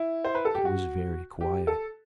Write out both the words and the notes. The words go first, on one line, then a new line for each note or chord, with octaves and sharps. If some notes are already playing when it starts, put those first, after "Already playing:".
It was very quiet.
Already playing: E4
C5
B4
A4
G4
F#4
G4
A4